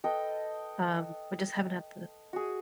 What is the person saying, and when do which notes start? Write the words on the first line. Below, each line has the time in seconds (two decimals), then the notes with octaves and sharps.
um, we just haven't had the
0.04 A4 B4 D#5 G5
2.33 F#4 G#4